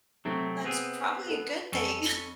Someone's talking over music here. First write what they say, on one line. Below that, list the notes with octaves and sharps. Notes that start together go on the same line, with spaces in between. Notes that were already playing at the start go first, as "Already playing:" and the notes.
That's probably a good thing.
C3 F#3 A3 C4
B3 C4 G#4
A4 B4
F2 C#4 A4